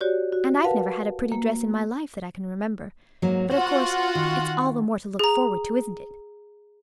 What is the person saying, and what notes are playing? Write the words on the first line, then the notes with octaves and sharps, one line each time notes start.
And I've never had a pretty dress in my life that I can remember--but of course it's all the more to look forward to, isn't it?
F#4 G4 C#5 D5
F#4
A#4 B4 F5 F#5 A5
A#3
G#2 F#3 A#3
F4 F#4 C5 F#5
D#3
G#4 A#5